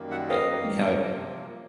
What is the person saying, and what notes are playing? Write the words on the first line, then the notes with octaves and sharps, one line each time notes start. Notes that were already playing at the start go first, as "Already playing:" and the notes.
uh, you know, it
Already playing: F#2 D#3 G3 A#3
E5 F#5
D#5 F5
F#2 D#3 G3 A#3
C3 F3 A#3